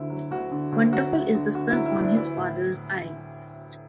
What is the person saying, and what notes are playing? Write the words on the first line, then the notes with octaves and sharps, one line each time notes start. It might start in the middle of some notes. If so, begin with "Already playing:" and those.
Wonderful is the son on his father’s eyes.
Already playing: D2 D3 E4
F#3
D2 F#4
D3
D2
F#3 F#4
D2
D3
D2 F#4
E4
F#3
E4
D2 D4
E3 E4
A2